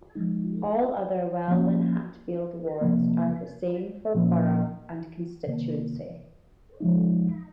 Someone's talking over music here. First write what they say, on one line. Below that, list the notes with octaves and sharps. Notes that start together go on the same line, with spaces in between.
All other Welwyn Hatfield wards are the same for Borough and Constituency.
F3 G#3 D#4
F3 A#3 C#4
C3 F3 A#3
A#2 F3 A#3 C#4
C3 D#3 A#3
F3 G#3 D#4